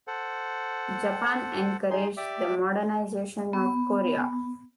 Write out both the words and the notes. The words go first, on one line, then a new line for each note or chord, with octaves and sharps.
Japan encouraged the modernization of Korea.
A4 C5 F#5
D#4 G#4 C6
G4 D5 E5 D6
B3